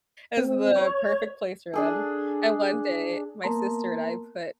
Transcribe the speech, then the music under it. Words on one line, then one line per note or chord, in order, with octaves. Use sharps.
is the perfect place for 'em, and one day, my sister and I put
C4
C#5
D4 G#4 A4
A#3 B3 A#4 A5 A#5 C6